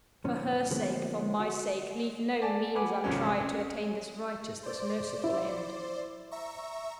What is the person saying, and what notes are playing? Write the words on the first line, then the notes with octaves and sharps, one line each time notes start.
For her sake, for my sake, leave no means untried to attain this righteous, this merciful end.
D2 A#2 F3 C#4 D#4
D3 F3 G#3 A#3 B3 C#4
F#4
D5 G#5 A5
B4 F#5 G#5 D6
D1 G#1 C3 F3 C#4
C#4
C5 D5
E4
E5 A#5 C#6